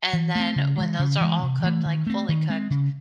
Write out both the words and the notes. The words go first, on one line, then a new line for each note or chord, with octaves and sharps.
And then when those are all cooked, like fully cooked,
E3
A3 C4
C#3
E3 G#3
C#3
E3 G#3
C3
E3 A3
D#3
A3 C4
D#3
G#3 C4
C#3